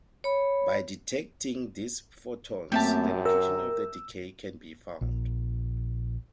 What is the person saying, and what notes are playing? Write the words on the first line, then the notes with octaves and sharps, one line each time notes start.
By detecting these photons the location of the decay can be found.
C#5 B5
F#2 A3 A#3 C4 G4 E5 A5
A#4 E6
A#1